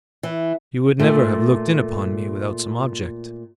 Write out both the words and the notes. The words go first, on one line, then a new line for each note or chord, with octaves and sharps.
You would never have looked in upon me without some object.
E3
A#2 A3